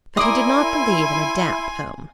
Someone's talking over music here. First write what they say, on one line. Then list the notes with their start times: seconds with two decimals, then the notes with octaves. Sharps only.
But he did not believe in a damp home.
0.17 E4 A#4 D5 G#5 C6 D#6